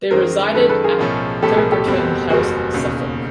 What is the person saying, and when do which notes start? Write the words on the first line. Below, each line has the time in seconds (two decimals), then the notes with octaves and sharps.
They resided at Theberton House, Suffolk.
0.11 F#2 D#3 G#3 A#4 C5
0.54 F#2 D#3 G#3 A4 B4
0.69 A4 B4
0.84 G#4 A#4
0.99 B1 A2 F3 A3 C#4
1.42 B1 A2 F3 A3 C#4 G4 A4
1.56 G#4 A#4
1.71 G4 A4
1.86 F#1 E2 B2 G3 C4
2.30 F#1 E2 B2 G3 C4 F#4 G#4
2.73 E1 D#2 C#3